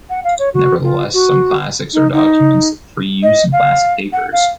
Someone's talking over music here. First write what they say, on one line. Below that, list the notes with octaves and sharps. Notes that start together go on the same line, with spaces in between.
Nevertheless, some “classics” are documents of free use in Classic papers.
F#5
F5
C#5
F#4
F4
F#4
D#4
D#4
D#5
F5
F#5
F5